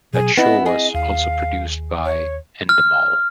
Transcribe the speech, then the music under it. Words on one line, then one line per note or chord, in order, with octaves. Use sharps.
That show was also produced by Endemol.
B2 F#3 G#4
B3 C4 E4 D#5
G#4 D#5
D#2 F5
C#5
F6